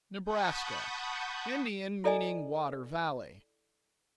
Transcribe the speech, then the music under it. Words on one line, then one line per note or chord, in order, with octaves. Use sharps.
Nebraska--Indian; meaning "water valley."
F#5 A5 B5 C#6 D#6 G6
E4 A4 D5 D#5 G#5